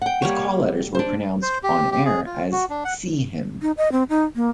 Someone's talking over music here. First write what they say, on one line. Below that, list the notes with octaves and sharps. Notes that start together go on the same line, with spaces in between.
Its call letters were pronounced, on air, as see Him.
F#5 G5
G3 A#3 C#5
D4 C5
C5
G4
G4
G#4
F4
F#4
D4
F#5
D#4
D#5
C4
D#4
A#3